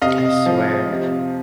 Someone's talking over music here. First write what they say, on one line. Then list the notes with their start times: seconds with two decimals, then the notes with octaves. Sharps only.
I swear
0.02 C3 D#5 F5
0.46 F3
0.90 C3